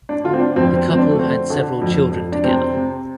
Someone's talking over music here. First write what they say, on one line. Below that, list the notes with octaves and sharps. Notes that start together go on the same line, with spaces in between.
The couple had several children together.
D4
D3 F4
C4
D4
F2 C4
C4
F2
C4
D4
A3
D3 C4
D3
F2
F2
D4
C3 C4
C3